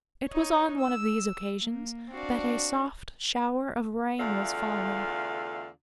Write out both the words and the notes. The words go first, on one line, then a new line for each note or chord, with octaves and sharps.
It was on one of these occasions that a soft shower of rain was falling.
D#4 C#5
E6
A#3
C4 D4 F#4 D5 F5
E2 D3 A3 F4 F5